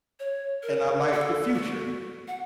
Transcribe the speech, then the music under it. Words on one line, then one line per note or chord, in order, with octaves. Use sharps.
and I like The Future,
C#5
A#4
A4
F#4
F#5